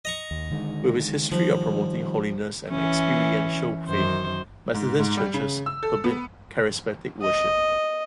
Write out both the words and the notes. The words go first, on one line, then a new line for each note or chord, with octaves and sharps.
With its history of promoting holiness and experiential faith, Methodist Churches permit charismatic worship.
D#5 A#5 C#6
D#2
D3 D#3 G#3
D#3 F3 G3
E3 C#4
F#2 D#3 C5
G#2
G#2
G3
C#3
E6
A4
B3
D#5